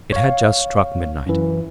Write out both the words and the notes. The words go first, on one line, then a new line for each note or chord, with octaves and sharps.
It had just struck midnight.
C#5 F5
F#2 E3